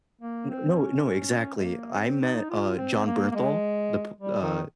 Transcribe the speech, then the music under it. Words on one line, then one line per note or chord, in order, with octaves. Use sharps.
N no, no exactly, I met, uh, Jon Bernthal, the p Uh,
A#3
C4
C#4
G#3
A#3
C4
D#4
F4
C4
A#3
A#3
G#3
G3
D#3